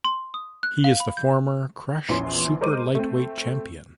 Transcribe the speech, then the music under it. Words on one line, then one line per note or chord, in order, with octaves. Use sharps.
He is the former Krush Super Lightweight champion.
C6
D#6
F#6
F5
B5
G6
A#1 E2 E3 C#4 C6
G#3 A#4 C5 D6 D#7
A3 C4